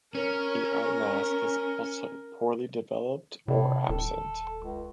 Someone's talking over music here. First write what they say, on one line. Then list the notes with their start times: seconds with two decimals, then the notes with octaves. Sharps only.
The eye mask is also poorly developed or absent.
0.15 C#4 A#4
3.48 A2 C3
3.89 D#1 A4
4.62 C#2